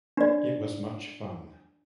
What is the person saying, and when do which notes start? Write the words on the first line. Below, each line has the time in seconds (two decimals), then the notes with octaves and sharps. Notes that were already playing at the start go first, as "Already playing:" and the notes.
It was much fun.
0.17 D4 D5